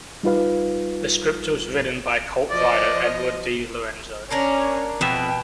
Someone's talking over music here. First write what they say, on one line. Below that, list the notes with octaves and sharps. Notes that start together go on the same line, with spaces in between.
The script was written by cult writer Edward di Lorenzo.
G3 D#4 F4 B4 F5
F3 D5 D#5
A#3 C#4 D4 A#4 C#5
F2 B2 B3 E5 G5